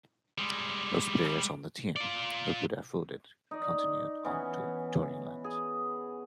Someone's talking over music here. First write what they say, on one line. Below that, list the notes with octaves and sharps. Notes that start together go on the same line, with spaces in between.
Those players on the team who could afford it continued on to tour England.
G3 G#3
F4 D5
D#4 D5
E3 B3 C#4
G#4